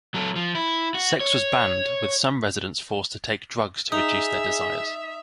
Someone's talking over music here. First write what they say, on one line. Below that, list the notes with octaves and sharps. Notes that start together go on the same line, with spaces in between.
Sex was banned, with some residents forced to take drugs to reduce their desires.
F#3 A4
F3
E4
F#4
C#5
D#4 G#4 E5 D#6 F7